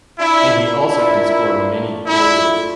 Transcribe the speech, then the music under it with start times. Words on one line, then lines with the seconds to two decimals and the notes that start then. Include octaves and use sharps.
And he also can score many goals.
0.19 D4 E4
0.35 F4
0.51 A#3
0.67 A#4
0.82 D4 E4
0.97 F4
1.13 A#3
1.29 A#4
1.45 D4
1.60 F4
1.75 A3
1.91 A3
2.06 D4 E4
2.22 F4
2.38 A3
2.54 A3